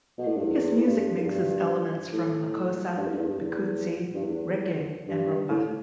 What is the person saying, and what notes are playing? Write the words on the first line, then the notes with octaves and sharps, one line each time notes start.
His music mixes elements from makossa, bikutsi, reggae and rumba.
B2
A2
G2
E2
A2
G2
E2
G2
A2
G2
E2
G2
E2
G2
E2
G2
E2
G2
A2